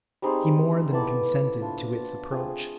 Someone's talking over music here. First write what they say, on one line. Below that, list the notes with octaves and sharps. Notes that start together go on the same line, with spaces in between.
He more than consented to its approach.
G3 C4 D#4 G#4
B3 E4 A4 D5
A3 D4 F4
A3 C4 F4 G#4